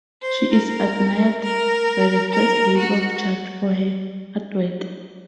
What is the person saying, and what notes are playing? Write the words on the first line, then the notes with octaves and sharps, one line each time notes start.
She is admired by the first lady of Chad for her hardwork.
C5
A#4
A#4
A#4
F#4